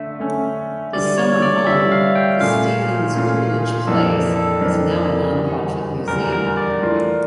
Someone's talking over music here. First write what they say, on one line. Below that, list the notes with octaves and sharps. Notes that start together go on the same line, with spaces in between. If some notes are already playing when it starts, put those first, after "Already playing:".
His summer home, The Stevens-Coolidge Place, is now a nonprofit museum.
Already playing: D3 A3 E5
D3 A3 C#4
G2 D3 G3 D5
C#5
D5
G2 D3 G3 E5
F5
G5
A#2 A3 C#4 F4 F5
A#2 A3 C#4 F4
F2 E3 A#3 D4 A4
A4
F2 E3 A#3 D4 A#4
E2 D3 G3
E2 D3 G3 A#4
A#4
D5
E3 A3 D4 F4